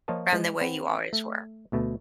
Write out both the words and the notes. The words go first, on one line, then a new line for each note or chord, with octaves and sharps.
from the way you always were.
F3 A#3 F4 C#5 D#5 A5
E3 G#3
C4 B4 F#5
A3
D2 B2 A3